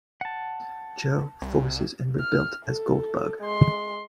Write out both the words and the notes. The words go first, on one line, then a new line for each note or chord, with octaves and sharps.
Joe forces and rebuilt as Goldbug.
F#5 A5
C2
F6
A4
G#3 C6